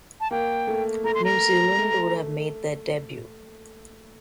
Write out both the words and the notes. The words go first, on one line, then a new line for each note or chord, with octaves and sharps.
New Zealand would have made their debut.
A5
A#3 G5
A3
A3 A#5
C6
A#5
A3